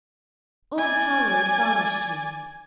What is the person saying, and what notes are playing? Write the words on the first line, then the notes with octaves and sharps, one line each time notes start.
Old Toller astonished me.
D5 G#5